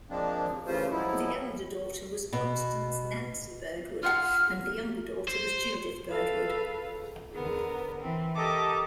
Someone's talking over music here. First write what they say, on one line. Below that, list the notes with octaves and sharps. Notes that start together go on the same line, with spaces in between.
The elder daughter was Constance 'Nancy' Birdwood, and the younger daughter was Judith Birdwood.
F3 G#3 A#3 C4 D4
C#3 E3 A3 C#4 F4 C5
F3 F#3 G#3 E4
B2
F4 F5 F#5 F6
C5
A4 B4 F5
D3 B3 A#4
E3 C4
G4 A4 A#4 D#5 A5 D6